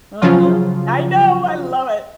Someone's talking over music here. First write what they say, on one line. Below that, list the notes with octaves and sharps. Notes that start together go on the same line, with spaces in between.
Uh-huh. I know, I love it.
C#3 F3 F#3 F4